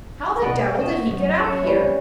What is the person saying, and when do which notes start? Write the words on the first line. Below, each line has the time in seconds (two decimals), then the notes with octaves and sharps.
"How the devil did he get out here?"
0.42 B2 B3 D5 D#5
0.81 C#4 D#5 F#5
1.07 G#2 F#3
1.44 C#4 C#5
1.63 C2 E3 G3 G#3